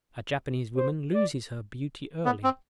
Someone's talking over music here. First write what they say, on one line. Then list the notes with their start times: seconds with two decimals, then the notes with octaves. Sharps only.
A Japanese woman loses her beauty early.
0.77 C5
1.14 D5
2.25 B3
2.44 C4